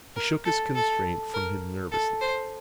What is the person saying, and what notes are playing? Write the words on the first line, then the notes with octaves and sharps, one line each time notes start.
He shook his constraint from him nervously.
A#4
A4
A4
A#4
A4
C5